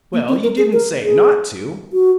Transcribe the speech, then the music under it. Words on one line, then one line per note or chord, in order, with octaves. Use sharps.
"Well, you didn't say not to."
A#3
C4
A#4
G#4
A#4
G#4
F#4